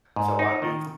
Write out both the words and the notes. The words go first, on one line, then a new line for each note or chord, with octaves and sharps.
so I knew
G#2
D#4
D#3